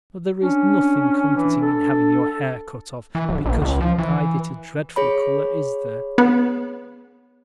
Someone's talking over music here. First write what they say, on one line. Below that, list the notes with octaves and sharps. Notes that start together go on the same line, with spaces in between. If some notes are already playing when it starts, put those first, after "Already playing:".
But there is nothing comforting in having your hair cut off because you've dyed it a dreadful color, is there?
C#4 D4
E3
A4
E3
D1
A#1
C#2
F3
E3
G#4 C#5 B5
B3